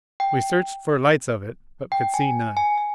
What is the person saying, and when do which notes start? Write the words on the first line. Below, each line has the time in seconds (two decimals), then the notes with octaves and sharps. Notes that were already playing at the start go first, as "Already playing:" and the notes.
We searched for lights of it, but could see none.
0.20 G5
1.92 G5
2.14 G#5
2.57 G#5
2.77 G#5